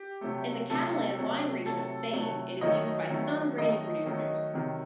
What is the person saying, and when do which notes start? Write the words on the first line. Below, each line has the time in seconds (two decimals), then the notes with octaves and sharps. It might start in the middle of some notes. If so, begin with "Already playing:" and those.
In the Catalan wine region of Spain it is used by some brandy producers.
Already playing: G4
0.21 C3 F#3 A3
0.70 C3 F#3 A3 A4
1.18 C3 F#3 A3
1.65 C3 F#3 A3 A4
2.13 C3 F#3 A3
2.61 D#3 F#3 A3 D#5
3.10 D#3 F#3 A3
3.58 D#3 F#3 A3 D#5
4.06 D#3 F#3 A3
4.54 C3 D#3 F#3